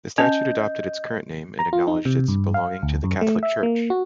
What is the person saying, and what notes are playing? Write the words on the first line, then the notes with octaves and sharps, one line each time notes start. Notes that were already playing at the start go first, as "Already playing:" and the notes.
The statute adopted its current name and acknowledged its "belonging to the Catholic Church".
C#4 D#5 A5 G6
A#5
F4
D#4
C3
G2
F5
D2
F#2
A3
E5
A#3
F#4